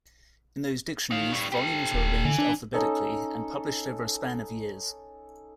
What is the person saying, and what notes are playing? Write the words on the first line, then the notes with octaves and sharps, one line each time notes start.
In those dictionaries, volumes were arranged alphabetically and published over a span of years.
D#4 F5
A2 G3
G4 A4
D#1
D3 E3
D4
C#4 D#4 A4